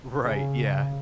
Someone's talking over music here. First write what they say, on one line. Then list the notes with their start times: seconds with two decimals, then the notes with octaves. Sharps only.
Right, yeah,
0.24 C#3